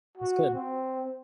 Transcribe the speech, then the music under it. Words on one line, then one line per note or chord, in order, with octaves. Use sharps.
That's good.
F#4
C4